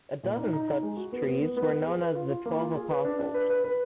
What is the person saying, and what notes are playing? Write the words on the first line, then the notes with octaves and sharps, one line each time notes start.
A dozen such trees were known as the Twelve Apostles.
A#2
D#4
D#4
D#4
G#3
F#4
B3
B3
B3
B3
B3
G#4
B4
F4
F4
A#3
F4
G#4
B4
D4
D4
B4
B4
B4